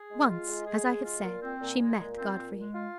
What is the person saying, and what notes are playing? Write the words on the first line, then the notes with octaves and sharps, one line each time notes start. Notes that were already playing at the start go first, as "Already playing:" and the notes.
Once, as I have said, she met Godfrey.
Already playing: G#4
G#3
F4
G#3
G#4
G#3
F4
A#2
C4
A#2
G#3
A#2
C4
A#2
G#3
F4